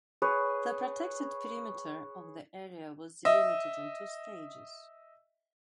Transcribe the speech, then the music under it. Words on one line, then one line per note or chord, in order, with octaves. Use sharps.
The protected perimeter of the area was delimited in two stages.
G#4 B4 C#5
D#5 E5